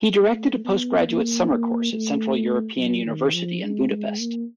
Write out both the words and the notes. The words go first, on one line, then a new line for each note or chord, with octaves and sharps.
He directed a postgraduate summer course at Central European University in Budapest.
A3
B3
A#3
A#3
A3
F#3
D#3
F3
G#3
G#3
A#3